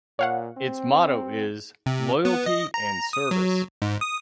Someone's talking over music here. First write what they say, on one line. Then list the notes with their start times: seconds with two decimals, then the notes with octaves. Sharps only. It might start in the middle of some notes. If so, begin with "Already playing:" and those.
Its motto is "Loyalty and Service".
0.19 A#2 C#5 F5 F#5
0.57 C4
1.86 C3
2.25 B3
2.46 D#5
2.74 A#5
3.13 D#6
3.31 F#3
3.82 G#2
4.01 D#6